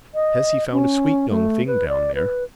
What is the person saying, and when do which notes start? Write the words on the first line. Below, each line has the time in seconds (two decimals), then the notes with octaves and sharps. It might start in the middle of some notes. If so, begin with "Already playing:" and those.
Says he found a sweet young thing down there.
0.14 D#5
0.72 C#4
1.30 A3
1.67 B4
1.88 D5
2.15 B4